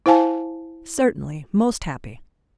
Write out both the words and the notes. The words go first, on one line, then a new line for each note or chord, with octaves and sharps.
"Certainly; most happy."
E4 C5 F5 G#5 A5